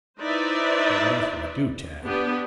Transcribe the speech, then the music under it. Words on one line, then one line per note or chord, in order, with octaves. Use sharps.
"But, what else can we do, Tad?"
D#4 E4 B4 C5 D5 E5
B3 D4 G4